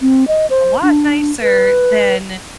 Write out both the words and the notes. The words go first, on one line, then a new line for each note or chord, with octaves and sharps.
a lot nicer than
C4
D#5
C5
D4
B4